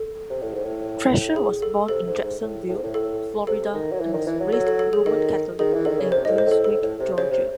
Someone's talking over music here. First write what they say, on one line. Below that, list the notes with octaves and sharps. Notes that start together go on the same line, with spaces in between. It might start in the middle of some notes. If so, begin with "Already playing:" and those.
Trasher was born in Jacksonville, Florida and was raised Roman Catholic in Brunswick, Georgia.
Already playing: A4
C3
A2
G#2
A2
G#4
A4
C3 A4
G#2
G#2
A2
A2
G#2
A2
A4
C3 A4
D#3
F#3
E3
D#3
E3
F#3
F#3 A4
A4
A4
G#4
D#3 A4
D#3 G#4
E3
D#3 A4
C#3
C3 C5
G#2 A2 D#5
C5
A2 A4
G#2 A4
A2
C3
C#3 C5
C3